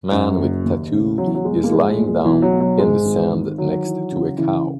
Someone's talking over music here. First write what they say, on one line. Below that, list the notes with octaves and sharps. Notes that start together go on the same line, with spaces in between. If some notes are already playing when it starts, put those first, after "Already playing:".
Man with tattoo is lying down in the sand next to a cow.
F#2
F#1
D#2
C#3
E2 F#3
E3
F#3
E1 G#3
A#3
A#1 G#3
A#2
B1 E3
F#3
B1
F#3
G#2 G#3
G#1
D#3
D#3 F#3
E3
C#3
C#3 E3